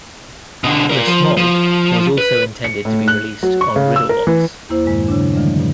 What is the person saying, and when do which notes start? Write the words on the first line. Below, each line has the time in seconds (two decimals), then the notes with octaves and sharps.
"The Smog" was also intended to be released on Riddle Box.
0.64 B2 D3
0.90 A#4 D5
1.07 F3
1.37 F3
2.18 B4
2.64 C#7
2.85 A2
3.08 F#6
3.43 F#3
3.61 C#6
3.76 C#3
3.96 E6
4.09 A#4
4.27 E3
4.69 E2 A#3 E4 C5
4.85 G2 A#2 D#3 G#3
5.08 C#3 F#3 D4
5.33 D3 D#3 F3 G3 A3 D4
5.58 G2 B2